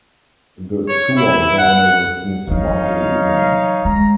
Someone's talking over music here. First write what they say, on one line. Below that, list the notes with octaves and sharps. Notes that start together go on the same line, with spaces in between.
The two are gone ever since Monday evening.
C#5
E4
F#5
E3 F#3 D#4 C#5 F5
G#3 A#5